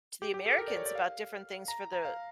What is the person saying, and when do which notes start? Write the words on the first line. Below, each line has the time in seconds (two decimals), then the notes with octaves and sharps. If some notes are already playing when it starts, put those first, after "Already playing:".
to the Americans about different things for the
0.22 G4
0.34 G4
0.46 A4
0.58 A#4
0.68 D5
0.77 C#5
0.86 D5
0.95 F5
1.68 A#5
1.93 A#5
2.05 F5